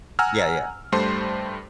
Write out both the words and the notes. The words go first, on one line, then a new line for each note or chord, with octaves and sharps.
Yeah, yeah.
F#5 G#5 A#5 E6 F6
G2 G3 A3 C5 A5 C6